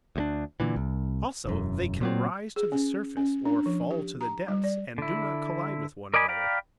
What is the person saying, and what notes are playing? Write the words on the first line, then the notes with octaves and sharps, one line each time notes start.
Also, they can rise to the surface, or fall to the depths, and do not collide with one another.
D2 G#3 D4
A#2 D3 E3
C2
E1 F#2
A#2 F#3 C4
G#4
C#4
C#4
D4
F3
G4
A#5
G3
D5
D3 E4
A#4 D5 D#5 G#5 B5
D5 F5 G5 A#5 B5